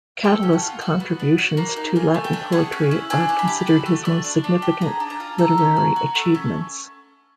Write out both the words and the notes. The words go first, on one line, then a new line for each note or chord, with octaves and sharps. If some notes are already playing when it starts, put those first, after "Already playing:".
Catulus's contributions to Latin poetry are considered his most significant literary achievements.
A4 G5
C#4
F#5
F4
F#4 F#5
B3
D4
F#4
A#3
D#4
F4 G#5
A3
G5
D4
G#4 F#5
C#4
E4
D4 G#5
D4
B5
G4
F#4
A3
D4
D4
D4
G4
G#4 A#5
D4
A#5
F4
A4 A#5
C#4
F#4
F#4
A3
C#4